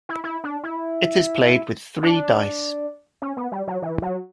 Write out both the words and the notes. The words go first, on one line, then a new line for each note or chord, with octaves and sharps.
It is played with three dice.
E4
E4
D4
E4
D4
C#4
B3
G3
F#3
E3
F#3